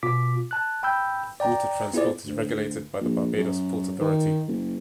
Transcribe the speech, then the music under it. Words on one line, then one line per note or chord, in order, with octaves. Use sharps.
Water transport is regulated by the Barbados Port Authority.
B2 F4 D6 B6
A5 F#6
G5 B5 E6 G6
D5 G5 A#5
B3 E4 F4 G#4 C5 D5
D2
A#1
F#2
D#3
F#1